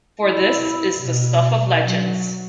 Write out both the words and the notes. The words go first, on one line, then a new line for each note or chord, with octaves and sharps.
For this is the stuff of legends.
E4
B2
F#3